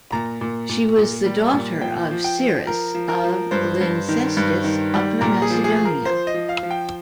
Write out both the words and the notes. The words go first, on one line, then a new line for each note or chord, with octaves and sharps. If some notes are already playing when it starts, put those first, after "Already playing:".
She was the daughter of Sirras of Lyncestis, Upper Macedonia.
A#2 A#5
A#2
A#2
A#2
G3
A#2
F3 G5
F3
G5
F3
F3 A#4
F3
A#4
F3
G2 C5
G2
D#3
G2
D#3
G3
A#2 A#4
G#4
F3
G#4
F3
A#4
F3 C5
D#5
F3
F5
F3
G5